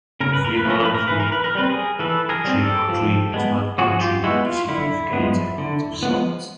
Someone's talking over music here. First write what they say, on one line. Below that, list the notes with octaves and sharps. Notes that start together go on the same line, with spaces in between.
The Fremont River tributary does not contribute significant amounts of salt.
C#3 A#4
B4
A#4
B4
F3 A3 C#4 A#4
B4
A#4
E3 B4
A#4
B4
A#4
G3 C4 B4
G#4 A#4
E3 A4 B4
G#4 A#4
G3 C4
G4 A4
F3
G#3 B3
F3 F#4 G#4
F4 G4
G#3 B3 E4 F#4
F4
D3 E4
F3 G#3 B3
D3
F3 G#3 B3